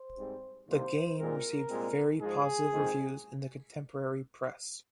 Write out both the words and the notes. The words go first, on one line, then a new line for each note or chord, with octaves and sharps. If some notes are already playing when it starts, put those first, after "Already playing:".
The game received very positive reviews in the contemporary press.
Already playing: C5
G#2 G3 C4
C2 C3 D#3 A#3 C5
C2 A#2 G#3 C4 A#4
C2 A#2 G#3 C4
G#2 F3 G#3 G#4
F2 D#3 G#3 C4